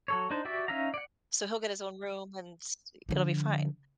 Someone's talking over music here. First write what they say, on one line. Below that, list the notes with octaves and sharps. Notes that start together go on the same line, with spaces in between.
So, he'll get his own room, and, s e it'll be fine.
F#3 A4 C#5
D4 D#4 C5
F#4 G4 D5 E5
C#4 D#4 E5 F5 A#5
D5 F#5
D3 F3